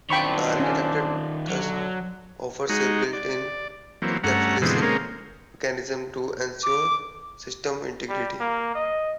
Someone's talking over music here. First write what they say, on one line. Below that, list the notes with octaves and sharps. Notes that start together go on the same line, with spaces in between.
The architecture thus offers a built-in encapsulation mechanism to ensure system integrity.
F#2 D#3 C4 D4 F4 G5 B5 C#6
C#4
B1 D3 F#3
G#3 D#4 F#4
D5
E3 F#3 A#3 C4
G2 A3 C#4 F#5 A#5
B2 D3 E3 F3 G#3 C4
G#3 A#3 C4 C#4 A#4
D6
G3
A#3
D#5